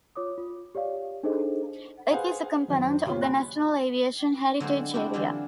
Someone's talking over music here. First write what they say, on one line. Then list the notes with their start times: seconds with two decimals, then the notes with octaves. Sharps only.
It is a component of the National Aviation Heritage Area.
0.16 F4 C#5 D6 D#6
0.38 F4
0.75 G4 C#5 D5 F5
1.23 D4 D#4 G#4 A4 C5 D#5
2.11 G#4 B4 C5 F5 F#5 G#5
2.68 F#2 D#3 C5
3.07 A#2 C#3 C#4 F4 G4
3.21 G5 G#5 B5 C6 F#6
4.60 D3 F#3 G#3 A#3 C4 C5
4.94 C4 D4 E4 F#4 G4
5.14 D3 E3 F#3 C4 F4 G4